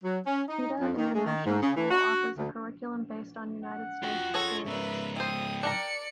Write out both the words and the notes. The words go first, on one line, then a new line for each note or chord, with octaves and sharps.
Teda International School offers a curriculum based on United States standards.
F#3
C#4
D#4
F2
D#3
G#3
D#3
G#2
C#3
E3
F#4
D2
F#5
F4 F#4 G5
G#4 A4 C#5 G#6 A#6
G#2 C#3 A#4 B4 E5
E4 C5 G5 D#6
D4 A#4 D5 A#5 C#7